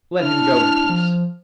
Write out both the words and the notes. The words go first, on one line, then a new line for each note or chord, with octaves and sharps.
Let him go in peace.'
D4 E4 F6 F7
F3